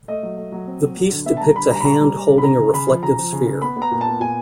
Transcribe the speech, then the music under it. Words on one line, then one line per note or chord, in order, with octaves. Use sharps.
The piece depicts a hand holding a reflective sphere.
A3 D#5
F#3
A3
F#3
C4
F#3
F#3
D3
B3 E5
A5
G3 A#5
D3 B5
G3 A#5
B5
D3 A#5
G3
G3
D3
B5
C#3 A#5
C#3
C#3 B5
F3
C#3 A#5
F3
C#3
C#3
B3 B5
B3
A#5
A#2
A5
B3
A#2 G#5